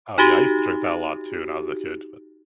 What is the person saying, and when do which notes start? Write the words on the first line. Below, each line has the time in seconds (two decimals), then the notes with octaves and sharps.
Oh, yeah, I used to drink that a lot too when I was a kid, but
0.18 D#4 F#4 G4